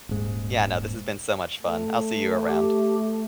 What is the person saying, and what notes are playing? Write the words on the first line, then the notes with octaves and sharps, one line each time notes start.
Yeah, no, this has been so much fun, I'll see you around.
D#1 G#2
A3
G4